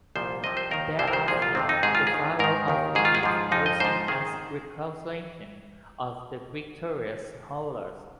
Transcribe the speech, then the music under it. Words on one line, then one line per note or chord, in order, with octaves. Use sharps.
Thereafter, the pharaohs of Egypt were seen as reincarnations of the victorious Horus.
C2 A#2 F3 C5
C2 C3 F3 D#5
C5
D#2 D#3 A#4
C2 C3 F3 C5
A#4
C5
C2 A#2 F3 G#4
F4
F2 C3 D#3 C4
D#4
G#2 D#3 G#4
F4
G#4
D#2 D#3
G#2 D#3 A#4
D#2 D#3
G#2 D#3 G#4
F4
G#4
G#2 F3
F2 F3 D#4
D#5
G#2 F3 C5
D#3 G#4